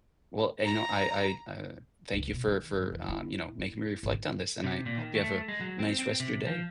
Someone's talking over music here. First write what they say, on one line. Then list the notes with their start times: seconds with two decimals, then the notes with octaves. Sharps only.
Well, uh, you know, I I, uh, thank you for for, um, you know, making me reflect on this, and I hope you have a nice rest of your day.
0.65 A#5
2.13 C#2
2.33 B2
2.47 D#3
2.73 G2
2.92 E2
3.09 E4
3.59 E4
4.03 G#1
4.64 C3
4.86 A#2
4.97 D#3
5.15 A3
5.48 G#3
5.61 F#3
5.79 C4
5.99 C4
6.20 C3
6.47 F3